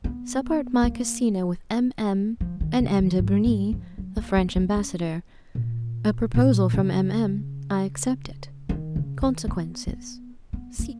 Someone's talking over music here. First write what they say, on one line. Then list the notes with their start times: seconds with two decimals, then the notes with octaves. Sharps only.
Supper at My Casino With M. M. and M. de Bernis, the French Ambassador-- A Proposal from M. M.; I Accept It--Consequences--C.
0.04 B3
0.84 A#3
2.41 F3
2.60 D#3
2.80 C#3
3.00 D#3
3.19 G#2
3.46 G#2
3.72 F3
3.98 F#3
4.17 A#3
4.37 B3
4.56 B3
4.77 C#4
5.55 A#2
6.34 A#2
6.74 C#3
8.69 D#3
8.96 C#3
9.21 D#3
9.48 B3
9.88 B3
10.53 B3
10.79 A#3